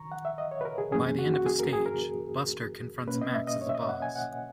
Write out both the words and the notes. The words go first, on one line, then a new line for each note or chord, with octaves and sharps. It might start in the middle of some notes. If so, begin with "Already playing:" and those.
By the end of a stage, Buster confronts Max as a boss.
Already playing: D#3 A#5 C#6
F#5
E5
D#5
C#5
B4
A#4
G#4
F#2 E3 A#3 C#4 G#4
F#4
F#4
G#4
A#4
G#4
A#4
B2 A#3 C#4 B4
D#5
E5
D#5
C#5
E5
D#5
F#5
G#5
F#5